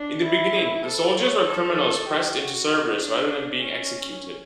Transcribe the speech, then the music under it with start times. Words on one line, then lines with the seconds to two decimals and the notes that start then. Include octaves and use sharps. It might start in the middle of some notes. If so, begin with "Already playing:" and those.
In the beginning the soldiers were criminals pressed into service rather than being executed.
Already playing: D4
0.25 E4
0.85 A4
1.17 C#5
1.47 A4
2.08 G4
2.40 F#4
3.01 D4
3.62 C#4